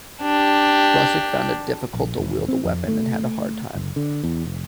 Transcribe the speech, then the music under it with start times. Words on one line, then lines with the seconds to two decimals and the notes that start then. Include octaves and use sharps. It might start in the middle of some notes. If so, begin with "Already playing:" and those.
Brussig found it difficult to wield a weapon and had a hard time.
0.22 D4 G4
1.94 A#1
2.17 E1
2.48 C4
2.65 F2
2.88 A3
3.75 F#1
3.96 D3
4.23 E2
4.45 F1